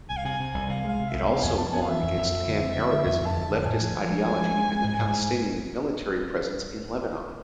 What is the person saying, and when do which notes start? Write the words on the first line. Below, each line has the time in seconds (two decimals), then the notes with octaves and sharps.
It also warned against pan-Arabism, leftist ideology and the Palestinian military presence in Lebanon.
0.10 C2 G#5
0.17 F5
0.25 C3 G#5
0.40 C3
0.54 C2
0.69 C3 F5
0.84 G#3 F5
0.99 C3
1.09 E5
1.14 C2
1.29 B3 F5
1.43 F2 G#5
1.58 B3 A5
1.73 B3 G#5
1.81 F5
1.88 E3 E5
2.03 F2
2.17 F2
2.32 F2
2.47 D3
2.62 C4
2.77 D3
2.92 D3
3.06 F2 E5
3.21 F2 A5
3.36 F2
3.50 D3 A5
3.65 A2 G#5
3.81 F3
3.95 F3
4.10 G#3
4.25 F3
4.39 G#3
4.54 G#3
4.69 G#3
4.84 G#2
4.99 G#2
5.13 G#2